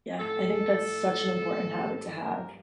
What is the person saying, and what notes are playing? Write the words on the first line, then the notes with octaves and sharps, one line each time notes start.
Yeah, I think that's such an important habit to have.
A2 F3 A4
G2 F3 A4
A#4